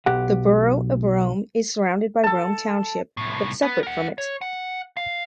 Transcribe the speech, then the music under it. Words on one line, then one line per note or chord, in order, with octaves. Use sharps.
The borough of Rome is surrounded by Rome Township but separate from it.
B1 G4 F#5
A4 A5
C2 A2
B3 B4
A#4 F#5
C#5
F#5
F5